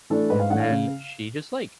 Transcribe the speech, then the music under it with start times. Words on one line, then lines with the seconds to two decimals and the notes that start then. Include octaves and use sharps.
and then she just, like,
0.10 E3 A3 D4 A4
0.30 G#2 B4
0.40 F5
0.50 E3 A3 D4 F#5
0.60 F5
0.70 C#3